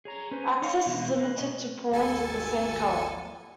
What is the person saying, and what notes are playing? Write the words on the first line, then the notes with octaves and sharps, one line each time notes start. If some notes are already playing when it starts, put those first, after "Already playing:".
Access is limited to pawns of the same color.
G#4 C#5 A#5
C#4 B4 C5
D#4 C#5 F5
B2 E3 G#3 E4
A#3 B4
B2 C#4 C5 D#5
G#1 D#2 A4 G#5 A6 C#7